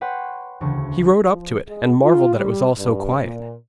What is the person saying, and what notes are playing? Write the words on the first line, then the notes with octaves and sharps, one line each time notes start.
He rode up to it, and marvelled that it was all so quiet.
B4 C#5 F#5 G5 C6 C#6
E1 D2 C#3 C#6
F3
G#3
F4
G3
G2
A#2